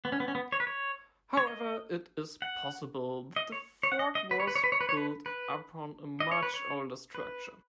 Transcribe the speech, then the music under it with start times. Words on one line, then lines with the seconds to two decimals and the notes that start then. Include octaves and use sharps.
However, it is possible that the fort was built upon a much older structure.
0.05 B3
0.12 C#4
0.20 B3
0.28 C#4
0.35 B3
0.52 C#5
0.60 B4
0.67 C#5
1.37 C#5
1.47 D#5
2.42 F#5
3.36 D#5
3.52 C#5
3.83 C#5
3.92 F#5
3.99 D#5
4.15 D#5
4.31 B4
4.40 C#5
4.47 B4
4.55 C#5
4.64 B4
4.72 C#5
4.81 B4
4.89 C#5
4.97 B4
5.26 B4
6.20 D#5
6.31 C#5
6.43 B4
6.54 C#5
7.15 B4